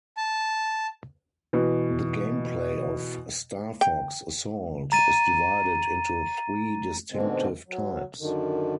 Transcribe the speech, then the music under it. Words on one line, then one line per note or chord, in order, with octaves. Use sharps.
The gameplay of "Star Fox: Assault" is divided into three distinctive types.
A5
B2 E3
G5
A#5 A6 D#7
G#2 B2 D3 G#3 C4
F#3
F#2 D3 D#3